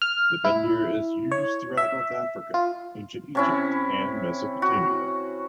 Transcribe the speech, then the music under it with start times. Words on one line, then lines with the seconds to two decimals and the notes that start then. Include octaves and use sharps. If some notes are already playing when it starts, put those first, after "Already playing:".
The bendir is used throughout North Africa, Ancient Egypt, and Mesopotamia.
0.02 F6
0.44 E4
1.31 C#5
1.77 E5
2.54 F4
3.35 C3 C#4 E4
4.62 F#4